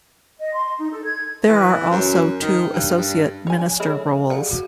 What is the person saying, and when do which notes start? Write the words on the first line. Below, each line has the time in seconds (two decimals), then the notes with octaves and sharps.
There are also two Associate Minister roles.
0.39 D#5
0.54 C6
0.78 D#4
0.91 A4
1.05 G#6
1.49 E3
1.91 F#2
2.42 D#3
2.73 G2
2.98 G2
3.47 C#5 G#5
3.66 F3
3.80 G#3 D4 E4 A4 C#5
4.30 G3 G#4 F5 F#5
4.51 F#4